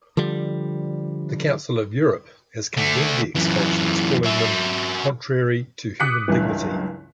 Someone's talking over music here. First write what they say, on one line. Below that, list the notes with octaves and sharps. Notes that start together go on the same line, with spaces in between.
The Council of Europe has condemned the expulsions, calling them "contrary to human dignity".
D3 F3 G3
D3 A3
F#2 E3
F#3 E5
D6 D#6 F#6 B6 C#7
F#1 C#2 G2 E3